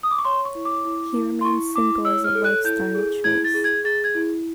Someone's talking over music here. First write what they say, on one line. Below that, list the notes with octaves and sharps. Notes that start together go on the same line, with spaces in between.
He remained single as a lifestyle choice.
D#6
D6
C#6
C#5 C6
C#6
E4
D6
E4
E4
C6
E4 C#6
E4 D6
C#5 E6
F6
A4
F#6
E4 G6
G#4
E4 G#6
A6
G#4
G#6
G#4 A6
G#6
E4